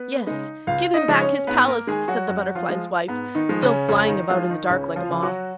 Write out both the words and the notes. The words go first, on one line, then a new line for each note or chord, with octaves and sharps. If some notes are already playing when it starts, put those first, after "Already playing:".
'Yes, give him back his Palace,' said the Butterfly's Wife, still flying about in the dark like a moth.
Already playing: B3 B4
C#3 G#3 D#4 D#5
C#2 F4 F5
D#4 D#5
C#3 F3 G#3
C#4 C#5
G#2 B3 B4
A#3 A#4
D#3 G#3 G#4
F#3 F#4
F#2 F#3 F#4
F3 F4
F3 G#3
G#2 B3
D#3 D#4
F3 G#3
C#3 C#4
F2 C#3 C#4
D#3 D#4
D#3 F3 G#3 F4
D#3 D#4
C#2 C#3 C#4
F3 F4
C#3 F3
F#3 F#4